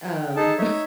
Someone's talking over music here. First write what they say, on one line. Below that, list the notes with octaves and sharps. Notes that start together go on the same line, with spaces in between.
Um, bu
G5
D#4 G#4 A4 A5
D#4 C#5 E5